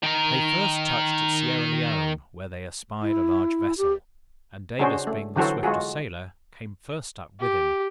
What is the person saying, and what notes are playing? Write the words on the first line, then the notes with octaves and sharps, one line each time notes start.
They first touched at Sierra Leone, where they espied a large vessel, and Davis being the swifter sailer, came first up with him.
D#3 A#4
E4
G4
C#3 C#4 D4 F#4 G#4 C5
A3
D3 E3 F#3 F#4 A4 C5
G#3 F4 F#4 G#4
G4